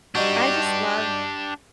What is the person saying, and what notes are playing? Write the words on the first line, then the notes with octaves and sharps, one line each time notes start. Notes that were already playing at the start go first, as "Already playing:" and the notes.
I just love
G3 D4 D#4 F#4 G4